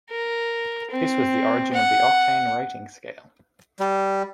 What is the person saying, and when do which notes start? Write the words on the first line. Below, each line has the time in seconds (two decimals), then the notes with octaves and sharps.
This was the origin of the octane rating scale.
0.10 A#4
0.91 C4
1.73 F#5
3.80 G3